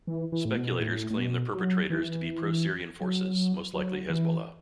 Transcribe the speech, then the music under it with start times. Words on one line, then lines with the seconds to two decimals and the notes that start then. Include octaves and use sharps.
Speculators claim the perpetrators to be pro-Syrian forces, most likely Hezbollah.
0.07 E3
0.32 E3
0.45 A2
0.57 B2
0.81 A2
1.10 A2
1.18 B2
1.54 F#3
1.90 E3
3.01 F#3
3.73 F#3
4.10 E3